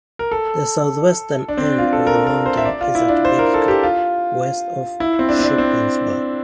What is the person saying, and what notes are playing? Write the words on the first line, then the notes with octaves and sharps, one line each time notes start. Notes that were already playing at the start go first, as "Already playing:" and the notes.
The southwestern end of the mountain is at Big Gap, west of Shippensburg.
A#4
A4
D4
C4
D4
F4
A4
A#4
A#4
C5
E5
D5
F4
E4
D4
C5
A#4
A4
G4
F4
E4
C4
D4
C4
D4
C4